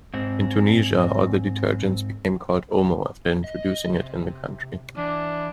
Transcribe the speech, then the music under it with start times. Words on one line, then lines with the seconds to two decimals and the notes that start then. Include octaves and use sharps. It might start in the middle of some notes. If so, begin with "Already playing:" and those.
In Tunisia, all the detergents became called Omo after introducing it in the country.
0.14 G#2 C4
3.44 D#5
3.93 C3
4.97 E3 D4